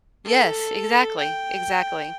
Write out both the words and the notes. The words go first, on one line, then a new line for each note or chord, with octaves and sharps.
Yes, exactly, exactly.
A4
G5